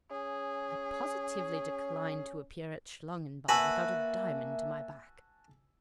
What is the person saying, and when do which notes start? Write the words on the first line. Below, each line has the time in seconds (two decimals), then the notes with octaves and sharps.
I positively decline to appear at Schlangenbad without a diamond to my back.
0.11 C#4 G#4
3.49 A#3 F#4 B4 E5 G#5 A5 B5 E6